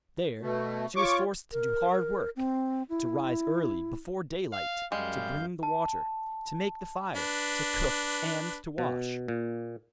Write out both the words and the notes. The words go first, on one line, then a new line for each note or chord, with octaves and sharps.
There she was forced to do hard work; to rise early before daylight, to bring the water, to make the fire, to cook and to wash.
B2 A3
F4 C#5 C#6 D6
A#4
A#4
C4
E4
F5
F#2 G3 G#3 F5 G6
A5
D4 B4
B2
A#2